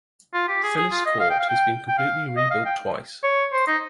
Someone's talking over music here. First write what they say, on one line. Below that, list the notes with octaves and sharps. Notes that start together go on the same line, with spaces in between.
Phyllis Court has been completely rebuilt twice.
F4
G4
G#4
G#4
F4
D#5
F5
G5
F5
G5
G5
F5
D#5
F5
G5
C#5
C5
D#4